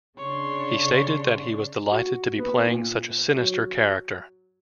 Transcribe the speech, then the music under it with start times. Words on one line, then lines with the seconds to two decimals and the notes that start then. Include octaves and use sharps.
He stated that he was delighted to be playing such a sinister character.
0.18 C#3 D4 C#5 C6
1.91 F#4
2.38 B3
2.66 A#2
3.36 F#3